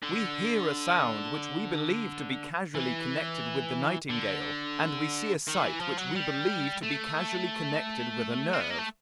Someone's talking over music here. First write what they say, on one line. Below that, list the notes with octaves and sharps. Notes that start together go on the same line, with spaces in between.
We hear a sound which we believe to be causally connected with the nightingale, and we see a sight which we believe to be causally connected with a nerve.
D3
E3
D3
D#3
E3
F3
F#3
G3
A3
C4
B3
A#3
A3